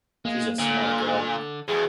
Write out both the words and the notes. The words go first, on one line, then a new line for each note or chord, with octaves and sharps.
She’s a smart girl.
G#3 A#3
A#2 D3
E2 B2 G#4